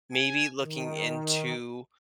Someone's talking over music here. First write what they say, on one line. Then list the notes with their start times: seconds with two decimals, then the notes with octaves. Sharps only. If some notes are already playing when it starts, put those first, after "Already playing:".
maybe looking into
0.12 G#5
0.61 D#3